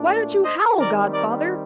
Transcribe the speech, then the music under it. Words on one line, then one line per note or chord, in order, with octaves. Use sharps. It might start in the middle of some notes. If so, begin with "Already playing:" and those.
'Why don't you howl, godfather?
Already playing: A#2 A3 D4
C5 D#5
D#3 G3 C4 A#4 D5
A#4 D5